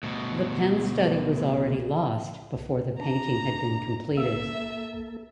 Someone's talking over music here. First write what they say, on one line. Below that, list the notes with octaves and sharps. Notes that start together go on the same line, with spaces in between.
The pen study was already lost before the painting had been completed.
D2 B2
D4 A#5
A#3 A4 E5